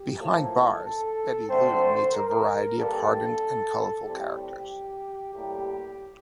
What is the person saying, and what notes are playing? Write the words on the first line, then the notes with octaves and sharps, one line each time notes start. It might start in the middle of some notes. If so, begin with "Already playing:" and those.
Behind bars, Betty Lou meets a variety of hardened and colorful characters.
Already playing: G4
A2 F3 A#3 A4
A4
D3 A3 C4 C5
A#4
G2 D3 G3 A#3 A4
A2 G3 C4 G4
A2 G3 A#3 G4